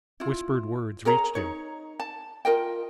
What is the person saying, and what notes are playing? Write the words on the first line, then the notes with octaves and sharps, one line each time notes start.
Whispered words reached him.
E4 F4
G#4 A#4 C#5 A#5
D#4 C#5
A5
F4 A#4 D#5 G5